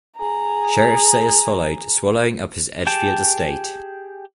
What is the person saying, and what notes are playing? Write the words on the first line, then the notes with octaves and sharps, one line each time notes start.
Sheriff sales followed, swallowing up his Edgefield estate.
G#4 A#5
G4 G#4 G5 A5